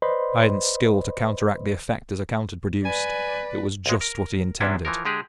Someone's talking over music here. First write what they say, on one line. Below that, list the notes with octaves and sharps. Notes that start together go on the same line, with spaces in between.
I hadn't skill to counteract the effect his account had produced: it was just what he intended.
B4 C5 D5 D#5 B5 C6
B4 D5 G#5
C2 G#3
A#4
E2 C3 F#3 C#4 D4 E4
E3 F3 A#4
D3 G#3 G4 G#4